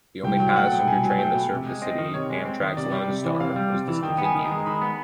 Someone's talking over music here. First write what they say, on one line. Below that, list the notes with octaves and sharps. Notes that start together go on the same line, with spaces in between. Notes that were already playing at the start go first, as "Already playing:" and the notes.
The only passenger train that served the city, Amtrak's Lone Star, was discontinued.
C2 G5
F#3 G5
A3 F#5
B2 G5
C2 G#5
F#3 G#5
A3 G5
B2
C3
G#3
C4 D#5
D#3
C3 C#5
G#3
C4
D#3
C3 D5
G3
C3
E3
C3 F5
G3
C3
E3
D#3 G5
B3
G#5
D#3
A#5
G#3
D#3 B5
B3